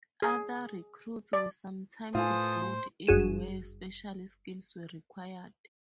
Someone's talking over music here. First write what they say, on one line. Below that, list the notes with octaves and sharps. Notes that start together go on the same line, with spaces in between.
Other recruits were sometimes brought in where special skills were required.
G#4
D5
A2 A3 F4 A4 B4 C5 G#5 D#6
G1 F#2 F#4 G#4 D#7 E7